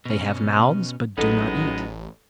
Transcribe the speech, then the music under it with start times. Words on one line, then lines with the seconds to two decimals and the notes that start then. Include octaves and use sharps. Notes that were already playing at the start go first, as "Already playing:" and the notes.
They have mouths, but do not eat.
0.05 B2 C#4
1.18 A1 F#3 G#3 B3 C#4 D#4 A4